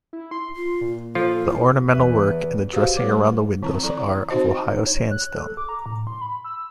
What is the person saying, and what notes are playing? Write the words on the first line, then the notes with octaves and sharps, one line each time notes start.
The ornamental work and the dressing round the windows are of Ohio sandstone.
E4
C6
F4
A#2
F3 F4 A4
E4
E2 B4 E5
F#4 G4 B4 C5 E5 F5
G3 A3 B3 B4 C#5 D6
D#3 C4 E4 A#5
F3 E4 A4 D5 A#5
C4 D#4 F#4 C5 D#5 A5
D#4
C#5
F#6
A4
D6
A#5
A2
C6
B5
E6